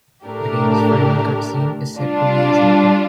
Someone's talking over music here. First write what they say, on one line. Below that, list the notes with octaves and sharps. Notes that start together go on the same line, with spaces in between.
The game's final cutscene is set two years later.
A2 A3 D4 G4 A#4
G3 D4 F4